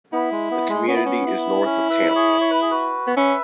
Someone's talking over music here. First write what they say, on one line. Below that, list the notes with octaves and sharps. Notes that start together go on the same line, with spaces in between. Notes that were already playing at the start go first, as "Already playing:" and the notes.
The community is north of Tampa.
B3 E4
G#3
B3
G#3
B3 C#4
E4
C#4
E4
C#4
B4 E5
G#4 C#5
C#5
B4
G#4
F#4 B4
B3
C#4 B4 E5